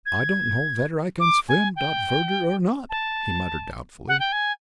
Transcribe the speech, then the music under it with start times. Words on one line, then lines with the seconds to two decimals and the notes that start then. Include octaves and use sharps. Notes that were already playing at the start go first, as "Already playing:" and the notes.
"I don'd know vedder I can swum dot furder or not," he muttered, doubtfully.
0.06 G#6
1.20 D6
1.49 G#5
1.76 G5
2.90 A5
4.08 F#5
4.20 G5
4.32 G#5